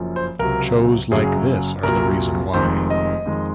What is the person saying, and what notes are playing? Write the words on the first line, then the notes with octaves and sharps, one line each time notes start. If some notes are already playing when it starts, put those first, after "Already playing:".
Shows like this are the reason why.
Already playing: F#1 F#2 F3
C5
C#2 C3 F#3 A#4
F#1 F#2 C#3 F#3 G#4
C2 A#2 F#3 A#4
F1 F2 D#3 G#3 C5
D#5
F2 D#3 G#3